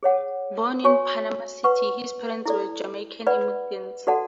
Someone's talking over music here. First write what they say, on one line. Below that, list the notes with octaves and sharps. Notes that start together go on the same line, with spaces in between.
Born in Panama City, his parents were Jamaican immigrants.
G#4 C#5 F#5
F#4 C#5 G#5 C#6
B4 F#5 C#6
E4 A4 D5
B4 D5 F#5 B5
F#4 A4 D5 F#5 A5